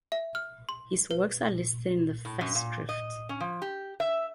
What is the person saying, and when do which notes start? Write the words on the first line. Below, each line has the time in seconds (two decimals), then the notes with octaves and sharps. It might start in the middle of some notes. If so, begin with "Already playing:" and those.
His works are listed in the festschrift.
0.12 E5
0.35 F6
0.69 C6
1.11 B4
2.25 A2
2.41 F#2
2.55 A#2
2.89 D#5
3.29 C#4
3.40 F3
3.62 G4
4.00 E5